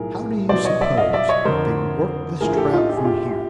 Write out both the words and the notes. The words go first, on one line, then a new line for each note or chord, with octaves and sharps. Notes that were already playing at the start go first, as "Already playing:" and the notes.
How do you suppose they worked this trap from here?
Already playing: B1 A2 F3 G#4 A#4
C2 B2 F#3 C5 D5
C#5 D#5
D5 E5
D#5 F5
D5 E5
C#5 D#5
F2 D3 F3 A#4 C5
A#1 A2 F3 G#4 A#4
G4 A4
D#4 F4
G4
G#4
F4 G4